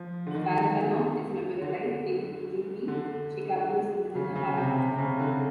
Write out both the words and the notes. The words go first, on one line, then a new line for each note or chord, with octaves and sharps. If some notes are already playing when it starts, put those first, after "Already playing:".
Balabanoff is memorialized in Judy Chicago's "The Dinner Party".
Already playing: F3
D3
D#3
D3
D3
C#3
C#3
C3
C3
C3
C#3
D3